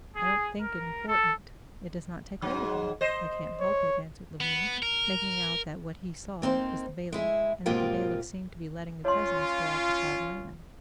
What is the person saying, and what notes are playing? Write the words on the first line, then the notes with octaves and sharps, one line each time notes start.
"I don't think it important; it does not take hold of me, I can't help it," answered Levin, making out that what he saw was the bailiff, and that the bailiff seemed to be letting the peasants go off the ploughed land.
G#4
A#4
A4
G#2 F#3
C5 D#5
C#5
B3
A#4
A#3 C4 D#4 C5
G#3 E4 G#4
G#2 B2 A#3 C4 F4 G4
C#4 F4 C#5 C6